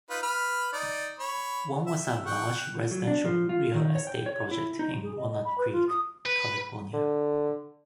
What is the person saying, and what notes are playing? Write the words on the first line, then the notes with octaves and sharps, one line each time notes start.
One was a large residential real estate project in Walnut Creek, California.
D#4 F4 B4
B4 B5 F6
D#4 D5
C#5 B5
E5
F#5 G5 C#6
F#3
D4
F3
F4
D#3
C#5
G5
C#5
E4
D#4
G#4
D#5
D#5
B5
B4
F4
D#6
B4
D3